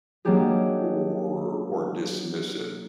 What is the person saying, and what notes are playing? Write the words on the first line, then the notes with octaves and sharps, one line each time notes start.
or or dismissive,
F#3 A#3 D4 D#4 G4 G#4